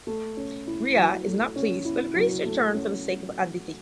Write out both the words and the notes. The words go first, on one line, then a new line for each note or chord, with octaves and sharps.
Ria is not pleased but agrees to return for the sake of Aditi.
A3
C#4
E4
F#3
A3
C#4
E4
F#3
A3
C#4